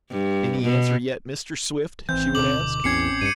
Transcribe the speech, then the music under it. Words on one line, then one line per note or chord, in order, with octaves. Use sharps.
"Any answer yet, Mr. Swift?" she would ask.
G2
B2
G#1 E3 C4 G6
D1 B2 D3 D6 F#7
A1 E2 C4 C#4 G#6 C7 C#7
G2 C#7 D#7